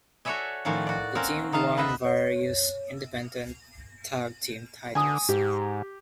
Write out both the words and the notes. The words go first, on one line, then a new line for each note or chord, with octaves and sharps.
The team won various independent tag team titles.
F#4 A4 C#5 D5 E5 G#5
A2 D#3 F3 C#4 F#4 D5
F#4 D5
A#3 C4 C#4 A#4
D#3 D#4 F4 F5 A5
D3 B4 D#5 E5
C#5
D3 G#5 D#6
G#2 G4